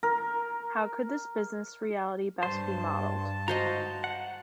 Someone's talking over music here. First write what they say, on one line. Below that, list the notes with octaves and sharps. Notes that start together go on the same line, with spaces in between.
How could this business reality best be modelled?
A#4
G2 C5 A5
G#2 F#4 C5 D#5 F5 A#5
F#5